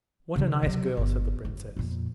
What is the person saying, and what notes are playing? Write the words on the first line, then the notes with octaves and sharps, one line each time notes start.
"What a nice girl!" said the princess.
C#3 D#4
C3 F#3
G1
F#1
F2 A#2